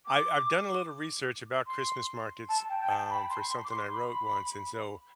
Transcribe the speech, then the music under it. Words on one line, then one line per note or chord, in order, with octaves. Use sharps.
I I've done a little research about Christmas markets, um, for something I wrote once, and so
D6
C6
A5
G5
G5
A5
B5
C6
C6
D6
C6
B5